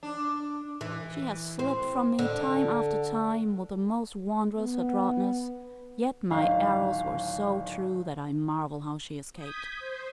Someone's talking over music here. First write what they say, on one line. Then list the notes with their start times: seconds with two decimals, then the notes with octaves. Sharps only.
She has slipped from me time after time with the most wondrous adroitness; yet my arrows were so true that I marvel how she escaped.
0.03 D4
0.81 E3
1.59 C4
2.19 D3
4.56 B3
6.31 D1 G#1 D#4 F5
9.35 D#6 G6 G#6 B6
9.79 C5